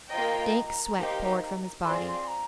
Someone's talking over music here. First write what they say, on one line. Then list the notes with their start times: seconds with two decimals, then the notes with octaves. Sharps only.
Dank sweat poured from his body.
0.10 A#3 F4 C5 D#5 G5 A#5
0.96 A#3 D#4 G4 C5
1.84 C4 F4 G#4 D5 C6
2.08 C6
2.28 A#5